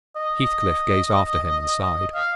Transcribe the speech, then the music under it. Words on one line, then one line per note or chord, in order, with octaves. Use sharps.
Heathcliff gazed after him, and sighed.
D#5
F5